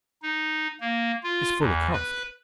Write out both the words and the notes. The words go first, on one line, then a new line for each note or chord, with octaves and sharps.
It's full 'a coffee.
D#4
A#3
F4
E2
B4